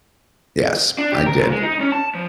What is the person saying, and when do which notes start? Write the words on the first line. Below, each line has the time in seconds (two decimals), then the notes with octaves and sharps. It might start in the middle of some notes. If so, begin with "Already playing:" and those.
yes, I did.
0.98 D4
1.12 G4
1.26 A#4
1.39 A#2
1.51 G#3
1.63 D#4
1.80 C#4
1.92 A5
2.15 F3